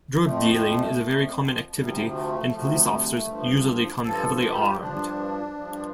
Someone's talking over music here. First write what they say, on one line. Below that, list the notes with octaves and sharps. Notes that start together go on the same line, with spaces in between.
Drug dealing is a very common activity and police officers usually come heavily armed.
F2 F3 A3
F2 F3
D2 C3 F3 G3
A3
D2 C3 F3
G2 F3
G2 F3 A4
A4
G4
F4
G4
G2 F3 D4
G2 F3